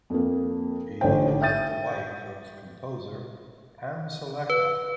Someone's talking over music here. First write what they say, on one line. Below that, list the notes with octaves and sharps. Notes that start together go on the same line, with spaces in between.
She is the wife of composer Hamsalekha.
F2 A#3
A1 D3 D#4 C5 G5
E5 G5 G6 A6 D#7
B4